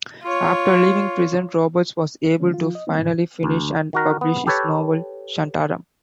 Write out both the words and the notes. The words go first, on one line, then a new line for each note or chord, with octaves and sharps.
After leaving prison, Roberts was able to finally finish and publish his novel, "Shantaram".
F4 C#5
D3 D#3 G#3 C#4
F3 F4
D#5
G3 A#3 C4 D#4
G#2 C3 D#3
D2
D#3 F#4 A#4
B3
G4 A4 B4 C#5